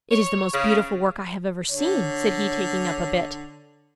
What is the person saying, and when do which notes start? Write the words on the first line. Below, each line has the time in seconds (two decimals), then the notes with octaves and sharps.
'It is the most beautiful work I have ever seen,' said he, taking up a bit.
0.10 C#5
0.53 C#3
1.71 D3 C#5